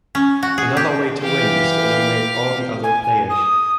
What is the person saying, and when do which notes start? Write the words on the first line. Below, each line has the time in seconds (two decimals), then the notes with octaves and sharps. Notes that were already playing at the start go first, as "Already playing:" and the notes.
Another way to win is to eliminate all the other players.
0.15 C#4
0.43 F#4
0.58 G#4
0.77 G4
1.20 E3 G4 F5
2.83 G#5
3.03 G#5
3.30 D#6